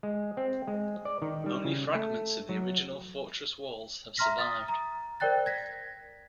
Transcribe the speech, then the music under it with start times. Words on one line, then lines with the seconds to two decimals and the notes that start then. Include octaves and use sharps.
Only fragments of the original fortress walls have survived.
0.03 G#3
0.37 C4
0.67 G#3
1.05 D5
1.22 D#3
1.46 G3
1.65 C#3
1.95 A3
2.49 F#3
4.17 E5 A#5 C6 F6 A#6 B6
4.38 D#6 A6
4.68 A#5
5.20 A#4 C5 D5 G5 F#6 A6
5.46 G#6 A#6 B6